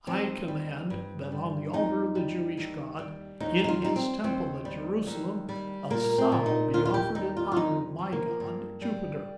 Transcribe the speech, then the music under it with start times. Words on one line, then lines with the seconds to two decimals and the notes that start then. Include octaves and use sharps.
I command that on the altar of the Jewish God, in His Temple at Jerusalem, a sow be offered in honour of my god Jupiter.
0.07 D#2 C4
0.48 G3
0.90 G2
1.32 G3
1.73 F2 D#4
2.16 G3
2.57 D#2
2.99 G3
3.40 D#2 D#4
3.64 D#4
3.68 F4
3.82 G3 D#4
3.96 C4
4.24 D#2 C4
4.65 G3
5.07 D#2
5.49 G3
5.90 A#2 A#3
6.18 C4
6.32 A#2
6.46 D#4
6.74 D#2 F4
6.85 F4
6.94 G4
7.15 G3 D#4
7.37 F4
7.52 F4
7.57 F2 D#4
7.99 F3
8.13 A#3
8.40 G2
8.82 G3